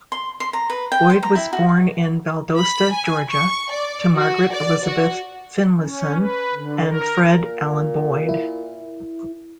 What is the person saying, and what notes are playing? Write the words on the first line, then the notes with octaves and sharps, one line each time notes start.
Boyd was born in Valdosta, Georgia to Margaret Elizabeth Finlayson and Fred Allen Boyd.
C6
C6
A#5
B4
G5
C5
A#5
E4
F#4
B5
G#5
C#6
D5
F#4
D5
F#4
C#4
B4
D3
A#4
A#2
E4